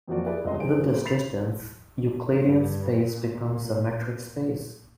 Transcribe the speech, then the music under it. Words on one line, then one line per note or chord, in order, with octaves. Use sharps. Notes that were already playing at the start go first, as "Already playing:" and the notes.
With this distance, Euclidean space becomes a metric space.
F2 F3 F#3 A#3 F#4 D5
E4 G4 G#4 B4 D5
D#1 C#2 G2 C3 D#5 C6
G1 D3 E3 G#4 C5 D7
F#3 G#3 A#3
B5 A6 B6 C7 F7
G2
A#2